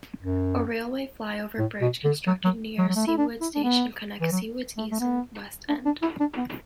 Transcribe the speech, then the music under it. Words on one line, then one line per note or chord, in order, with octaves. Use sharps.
A railway flyover bridge constructed near Seawoods station connects Seawoods East and West end.
F#2
A2
B2
D3
F#3
F#3
F#3
F#3
A3
E4
D4
E4
D4
B3
E3
F#3
A3
A3
B3
D4
D4
E4
D4
B3